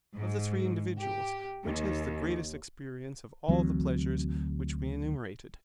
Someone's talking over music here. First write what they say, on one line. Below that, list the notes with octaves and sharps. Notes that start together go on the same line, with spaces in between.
Of the three individuals, which has the greatest experience of all the pleasures which we enumerated?
G#2
G4
D#2
D2 E3 F#3 C4